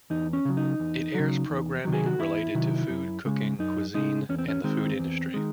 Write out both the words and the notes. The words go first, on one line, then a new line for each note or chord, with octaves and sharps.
It airs programming related to food, cooking, cuisine, and the food industry.
E2 D#4
C#4
C#3 F#3
D#4
E2
C#3 F#3
E2
C3 D#3 F#3
G#4
F#4
E2 E4
C3 D#3 F#3
F#2
C#3 G#3
F#2 D#4
C#3 G#3 D#4
E2 C#4
C4
C#4
D#3 G#3 C4
E2
D#3 G#3